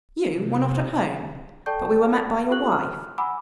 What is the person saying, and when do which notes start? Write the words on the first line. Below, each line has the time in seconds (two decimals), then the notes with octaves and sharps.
You were not at home, but we were met by your wife.
0.25 C3
1.66 A4 D5 G5 A5 C#6 G6
2.51 F4 G4 A4 C#6 F#6 F#7
2.72 F6
3.18 F#5 G#5 A#5 B5 D6 E6